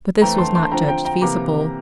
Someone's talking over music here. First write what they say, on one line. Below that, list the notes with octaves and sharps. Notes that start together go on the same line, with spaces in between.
But this was not judged feasible.
E3 A3 C4 G5 A#5
A5 C6
A5 C6
D3 F3 C4 G5 A#5
G5 A#5
G5 A#5
C3 E3 A#3 A#5 D6